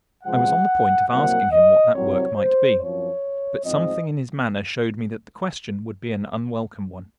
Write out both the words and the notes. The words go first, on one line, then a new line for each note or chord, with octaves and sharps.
I was on the point of asking him what that work might be, but something in his manner showed me that the question would be an unwelcome one.
C#2 C3 F3 G#3 F#5
C2 C3 F#3 A#3 F#5
D#5
C2 C3 F#3 C4 C#5
C5
F#2 F3 C4 C#5
G#2 F3 C4 D#5